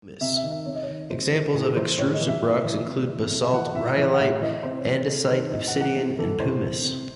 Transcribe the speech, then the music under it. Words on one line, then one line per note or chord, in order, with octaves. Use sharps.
Examples of extrusive rocks include basalt, rhyolite, andesite, obsidian and pumice.
C3 E5
E5
D#3
E5
C3 C#5
D#5
C#5
D#3
C3 C5
E3
A2 G#4
E3 C5
A2 C#5
D#5
E3
E5
A2
E3
C3
E3
C3
E5
E3 F#5
A2 E5
E3
F#5
A2 E5
E5
E3 D#5
C3 C5
C#5
E3
C5
C3 A4
D#3 C5
A2 D#5
F#5
E3
F#5
C3
E3 A4
A2 C5
E3
C3